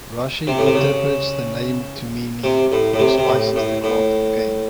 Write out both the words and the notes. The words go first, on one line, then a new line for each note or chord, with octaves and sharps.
Rashi interprets the name to mean he who spices the craft of Cain.
C3
A2
C3
C#3
C3
A2
A2
C3
C3
A2
A2
A2